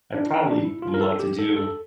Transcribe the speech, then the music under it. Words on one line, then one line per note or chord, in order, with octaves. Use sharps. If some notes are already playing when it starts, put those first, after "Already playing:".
I probably would like to do
D4
E4
D4
E4
F4
A#4
A4
G4
A4
A4